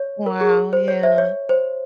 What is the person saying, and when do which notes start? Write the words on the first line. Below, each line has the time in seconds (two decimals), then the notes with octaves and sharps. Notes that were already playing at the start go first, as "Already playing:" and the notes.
Wow, yeah.
Already playing: C#5
0.26 A#4
0.41 G#4
0.73 C5
0.88 C#5
1.03 C5 E5
1.18 C#5
1.49 C5